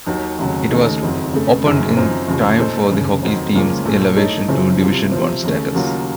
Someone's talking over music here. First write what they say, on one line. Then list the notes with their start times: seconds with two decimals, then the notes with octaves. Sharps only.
It was opened in time for the hockey team's elevation to Division One status.
0.07 D#2 D#3 F#3
0.39 F1 D#2 C#3 F#3
0.70 D#2 C#3 A3 D#4
1.02 F#1 F2 D#3 F#3
1.33 F2 C#3 A3
1.65 F#1 F#2 D#3
1.96 F#2 F3 C4 D#4
2.28 F1 D#2 C#3 F3
2.59 A#2 A3 D#4 A4 C5
2.91 F1 D#2 C#3
3.23 F2 D#3 F#3 C4
3.54 C#2 C#3 F3 A#3 C#4
3.85 A#1 A#2 F3 A3
4.17 A2 A3 D#4 A4 C#5
4.48 F#1 F#2 C#3 F3 C4
4.80 C2 C3 F3
5.12 C3 F3 C4
5.43 D#2 C#3 A3
5.75 D#2 C#3 F#3 A#3 F4